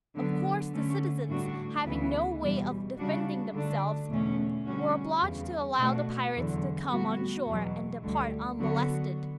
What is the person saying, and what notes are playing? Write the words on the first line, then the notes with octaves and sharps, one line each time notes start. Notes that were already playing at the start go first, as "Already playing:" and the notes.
Of course the citizens, having no way of defending themselves, were obliged to allow the pirates to come on shore and depart unmolested.
D3 F#3 B3
D3 A3 C#4
A2 G3 D4 F#4
D2 C#3 E3 B3 E4
E2 B2 G3
C#3 G3 D4 F#4
D3 A3 D4
E2 B2 A3 C#4
D3 G3 C#4 F#4
E2 C#3 G3
B2 A3 D4 F#4
E2 D3 F#3
A2 G3 B3 F#4
E2 B2 F#3
D2 D3 G3
D3 F#3 B3 F#4